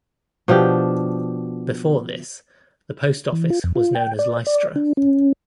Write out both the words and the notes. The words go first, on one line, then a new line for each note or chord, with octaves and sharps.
Before this, the post office was known as "Lystra".
B2 F3 D4 G4
E3
F4
F2
F4
G5
D5
D5
D4
C#4